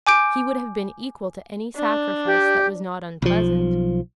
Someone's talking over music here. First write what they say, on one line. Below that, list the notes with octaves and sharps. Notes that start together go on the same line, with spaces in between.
He would have been equal to any sacrifice that was not unpleasant.
G#5 D6 G6 D7
D4
G4
B1 F3